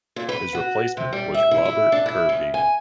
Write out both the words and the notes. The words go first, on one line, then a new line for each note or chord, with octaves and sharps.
His replacement was Robert Curbeam.
A#2
B4
F#4
C3
G3
E5
E4
E4
D4
E4
C#3
G#5